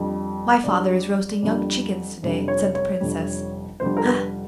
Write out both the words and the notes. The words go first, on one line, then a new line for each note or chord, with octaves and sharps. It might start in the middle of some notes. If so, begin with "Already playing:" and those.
My father is roasting young chickens to-day!' said the Princess.
Already playing: F2 D3 G3
F2 D3 G3 D5
F2 D3 G3
F1 F2 D3 G3
C#5
C#5
F1 F2 D3 G3
F1 F2 D3 G3 C5
A#4
B4